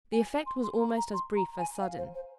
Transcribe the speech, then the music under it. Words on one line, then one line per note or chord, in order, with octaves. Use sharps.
The effect was almost as brief as sudden.
G#5
C6
C6
A#5
A#5
C6
A#5
G#5
F5
C5
C5